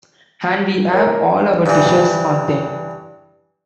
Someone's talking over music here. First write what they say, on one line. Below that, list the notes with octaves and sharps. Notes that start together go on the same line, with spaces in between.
And we have all our dishes on them.
A#4 C#5
G2 E3